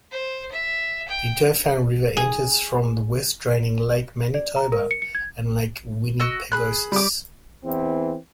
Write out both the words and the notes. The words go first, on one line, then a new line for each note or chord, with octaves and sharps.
The Dauphin River enters from the west draining Lake Manitoba and Lake Winnipegosis.
C5
E5
G5
G#4
D5
A#5
A#4
C#7
C#7
G#6
F#4 D#5 E6
G#4 B5 F#6
G3 D6
E2 E3 C4